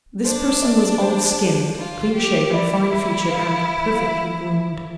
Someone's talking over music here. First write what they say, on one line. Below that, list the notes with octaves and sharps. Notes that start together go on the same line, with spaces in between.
This person was olive-skinned, clean-shaven, fine featured, and perfectly groomed.
D4 C5
D5
C5
F4
G4
E4 D5
E5
F5
E5
F5
E5